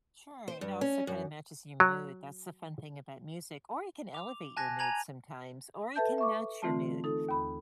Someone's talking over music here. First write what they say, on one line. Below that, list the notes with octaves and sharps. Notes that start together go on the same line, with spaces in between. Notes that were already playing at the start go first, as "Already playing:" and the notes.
Sure, it also kind of matches your mood, that's the fun thing about music, or it can elevate your mood sometimes, or it can match your mood.
C5
G2
C#4
F#2
F#3
D6 F7
G#5 A5 F#6 G#6 A#6
G#5 A#5 G#6 F7 F#7
A4 B4 E5 A5 G6
E5 C#6 D6
D3 E3 A3 C4 F4 A5
D#4 A4
D#2 B5